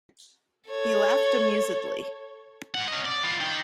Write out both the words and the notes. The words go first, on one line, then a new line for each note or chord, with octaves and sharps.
He laughed amusedly.
A4 C#5
G#2 F#5
C#4 D#5
D5
B3 F4
D#4 G5